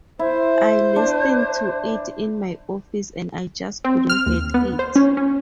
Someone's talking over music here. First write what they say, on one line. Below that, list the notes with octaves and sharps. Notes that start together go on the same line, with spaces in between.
I listened to it in my office and I just couldn't get it.
E4 C5
D4
C4
F6
D#2
B3
C5
C#4
C#4